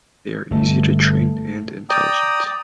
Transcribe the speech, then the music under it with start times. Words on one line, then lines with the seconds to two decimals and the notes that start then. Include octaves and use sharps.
They are easy to train and intelligent.
0.51 G1 A3 D#4
1.90 D5 G5 A#5 D#6